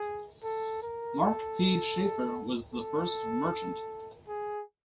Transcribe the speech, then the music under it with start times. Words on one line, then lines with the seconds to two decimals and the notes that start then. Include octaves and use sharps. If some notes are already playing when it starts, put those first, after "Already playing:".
Mark P. Sheffer was the first merchant.
Already playing: G#4
0.43 A4
0.83 A#4
1.20 A4
2.74 A4
4.28 G#4